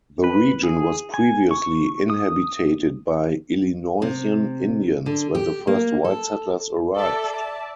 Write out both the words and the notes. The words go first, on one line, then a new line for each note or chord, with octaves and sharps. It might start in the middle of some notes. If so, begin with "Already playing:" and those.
The region was previously inhabited by Illinoisan Indians when the first white settlers arrived.
B4
G#4
G#5
C#6
D#6
C3
D3
G4
A#3
A4
A4 D5 E5
A5